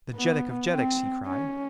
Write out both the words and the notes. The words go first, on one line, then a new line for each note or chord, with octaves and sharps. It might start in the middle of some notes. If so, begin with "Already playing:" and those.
"The Jeddak of Jeddaks!" he cried.
B3
C4
C#4